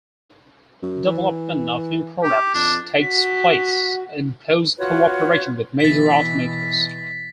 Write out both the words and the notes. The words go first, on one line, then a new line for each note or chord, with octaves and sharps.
Development of new products takes place in close cooperation with major automakers.
F#2
E3
G4
F2 D4
F#4 B6
F4 F#4 B4 C#5
B2 E3 A6 B6